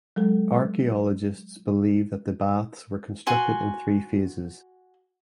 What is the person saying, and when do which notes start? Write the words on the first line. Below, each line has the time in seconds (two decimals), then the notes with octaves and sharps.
Archaeologists believe that the baths were constructed in three phases.
0.16 F#3 G#3 A4
3.27 F#4 G#5 C6